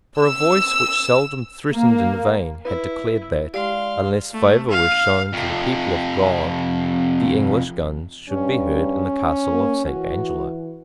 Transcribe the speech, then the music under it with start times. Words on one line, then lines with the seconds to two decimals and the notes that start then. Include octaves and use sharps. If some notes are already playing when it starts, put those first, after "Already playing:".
For a voice which seldom threatened in vain had declared that, unless favour were shown to the people of God, the English guns should be heard in the Castle of Saint Angelo.
0.19 E6
1.73 A#3
2.65 E4 B4
3.54 G#3 G4 D5 F5 C6
4.34 A3
4.70 F5
5.33 F2 C3
8.29 G2 C#4
9.51 A#3
9.86 E3 F#4